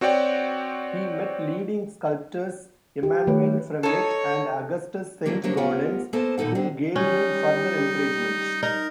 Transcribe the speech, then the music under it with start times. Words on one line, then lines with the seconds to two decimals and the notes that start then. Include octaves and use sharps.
He met leading sculptors Emmanuel Fremiet and Augustus Saint-Gaudens, who gave him further encouragement.
0.01 C4 F#4 C#5 D5 G5
3.03 G4
3.27 D#3 A3 B4 C#5
3.83 D#4 A4 C#5
5.26 D3 F#3 G3 A#3 D4
5.44 F#3 G3 A#3 D4 C5 C#5
5.57 D2 B3 F4 G4 A#4 F#5
6.13 A#3 B3 A4 A#4 C5 A5
6.38 A#2 D#3 D#4 A4 F#5
6.55 D3 C4 D4
6.96 G3 C#4 D#4
8.63 D#4 A#4